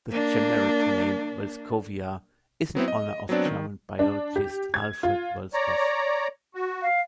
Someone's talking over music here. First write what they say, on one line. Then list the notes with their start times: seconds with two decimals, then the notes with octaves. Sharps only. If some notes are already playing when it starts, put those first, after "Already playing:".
The generic name, "Voeltzkowia", is in honor of German biologist Alfred Voeltzkow.
0.11 A#3 D4
2.75 F#3 B3 C4 E4
2.88 D#5
3.29 F#3 B3 C4 D4 D5
3.46 D#3
3.99 D4
4.36 G4
4.74 G#6
5.03 F4
5.54 C#5 D5 A#5
6.55 F#4
6.82 F5